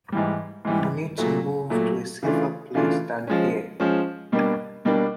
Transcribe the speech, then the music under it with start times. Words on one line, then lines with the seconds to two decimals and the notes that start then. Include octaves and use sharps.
We need to move to a safer place than here.
0.12 G#2 E3 G3
0.65 G#2 E3 G3
1.18 A#2 F#3 A3
1.70 A#2 F#3 A3
2.23 C#3 E3 A3 D4 F4
2.75 C#3 E3 A3 D4 F4
3.27 F3 G#3 C#4
3.80 F3 G#3 C#4
4.32 B2 G3 A#3 D4
4.85 B2 G3 A#3 D4